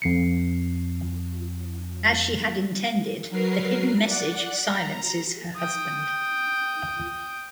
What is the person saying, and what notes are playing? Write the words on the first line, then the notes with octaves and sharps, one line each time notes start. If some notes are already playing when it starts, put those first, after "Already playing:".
As she had intended, the hidden message silences her husband.
F2 C7 C#7
F#3 A#4 B4 C7
D5 F#5
A#5
G5 D#6